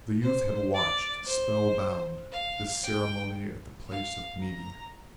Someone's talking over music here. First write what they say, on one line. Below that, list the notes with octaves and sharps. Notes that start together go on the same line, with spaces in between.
The youth had watched, spellbound, this ceremony at the place of meeting.
C5
D5
C5
F5
G5
F5
A#5